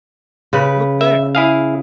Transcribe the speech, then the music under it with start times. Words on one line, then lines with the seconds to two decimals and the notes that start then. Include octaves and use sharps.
"Look there!"
0.53 C#3 B4
1.01 E5
1.35 E4 G#4 F5